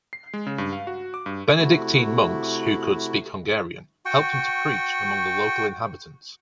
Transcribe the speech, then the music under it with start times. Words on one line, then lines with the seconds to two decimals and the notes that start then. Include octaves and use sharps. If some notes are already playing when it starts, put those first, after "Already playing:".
Benedictine monks who could speak Hungarian helped him to preach among the local inhabitants.
0.13 C7
0.33 G#3
0.47 C#3
0.58 G2
0.73 F5
0.87 F#4
1.14 D6
1.26 G2
1.59 C3 A3 E4 F#4
4.05 F#4 G5 C#6